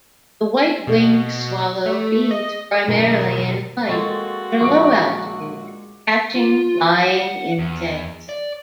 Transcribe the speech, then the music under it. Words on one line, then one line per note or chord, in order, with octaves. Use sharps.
The white-winged swallow feeds primarily in flight at a low altitude, catching flying insects.
B2
A3
D#5
B1 A#4
G#3 A#3 C4 F#4 A4 C#6 A6
A#1 C#6 D6 D7
F4
F#5
E2
D5